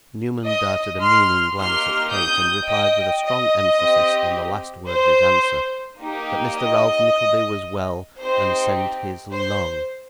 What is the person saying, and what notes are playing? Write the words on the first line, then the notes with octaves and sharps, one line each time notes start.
Newman darted a meaning glance at Kate, and replied with a strong emphasis on the last word of his answer, that Mr Ralph Nickleby was well, and sent his LOVE.
D#5
C6 F6
A#3 D#4 G4 C6 F6
D#6 G6
D#5 G5
D#5
C4 G4
C5
A#3 D#4 G4
D#5
C4 D#4 G4 C5
C5